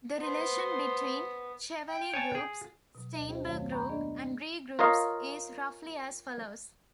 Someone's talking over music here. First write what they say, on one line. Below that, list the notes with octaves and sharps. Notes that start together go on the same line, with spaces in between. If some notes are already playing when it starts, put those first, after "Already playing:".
The relation between Chevalley groups, Steinberg group, and Ree groups is roughly as follows.
B3 C5 C6
G5
C#5 G#5 A5
G#4
B2 F#3
D2 B4 D#5
C#4 F#4 G#4 C5 G5
F2 D#3 F#3 A3 C#5 F5
G5 G#5 A#5 B5 C#6 G6
A#3 B3 D4 G#4 D5 D#5
F4 A#4 C#5 D#5 F5